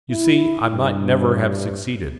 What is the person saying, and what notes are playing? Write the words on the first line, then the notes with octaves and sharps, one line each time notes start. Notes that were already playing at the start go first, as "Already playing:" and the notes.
You see, I might never have succeeded.
E4
G2